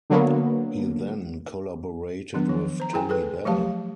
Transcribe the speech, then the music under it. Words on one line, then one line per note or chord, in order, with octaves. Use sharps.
He then collaborated with Tony Bell.
D3 F#3 A#3 B3
D#3 F#3 B3 D4
F3
C5 A#5
E4 G#4 G5 G#5
G#4 A4 B4
F3 F#3 A3 G4 F5 A5